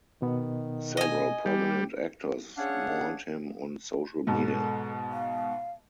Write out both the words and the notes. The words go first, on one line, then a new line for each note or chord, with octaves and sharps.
Several prominent actors mourned him on social media.
B2 D#3 B3
D#5 G#5
G3 G4
C#4 D4 G#4 C#5 F5 F#5
G#2 B2 A4
F5